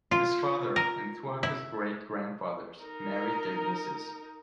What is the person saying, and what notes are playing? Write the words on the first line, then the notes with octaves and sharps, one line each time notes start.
His father and two of his great-grandfathers married their nieces.
F4
A#4
E4
D#4 A#4